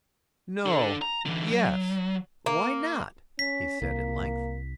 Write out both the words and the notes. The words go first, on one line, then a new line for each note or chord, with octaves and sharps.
"No--yes--why not?" he said, at length.
D4 A4
A#5
D3 E3
F#3
A#3
C#4 B6
C2 A#3